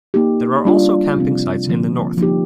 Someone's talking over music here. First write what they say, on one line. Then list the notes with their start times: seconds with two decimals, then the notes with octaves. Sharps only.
There are also camping sites in the north.
0.14 A#3 D#4 G4
0.65 G3 D4 F4
1.16 C3 F3 C4
1.67 D3 F3 A#3
2.18 F3 A#3 D#4 G4